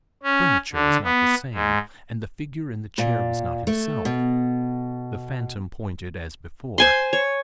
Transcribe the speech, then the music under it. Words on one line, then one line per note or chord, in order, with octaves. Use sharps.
The furniture was not the same, and the figure in the chair was not himself. The Phantom pointed as before.
C#4
D3
B3
G#2
A#2
A3
B2
C5 G#5 C6
C#5